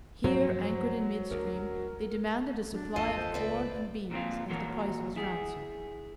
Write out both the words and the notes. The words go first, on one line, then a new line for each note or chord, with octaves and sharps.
Here, anchored in mid-stream, they demanded a supply of corn and beans as the price of his ransom.
G2 F3 F#3 A#3 C5
D2 A#4
F#3 D4
G#1 E2 F4 A4 D#5
C5
C#2 C4 B4 D5 E5
A#2 C4 F4
A#2 E3 F#3 A#3 F#4 A#4
E4 G#4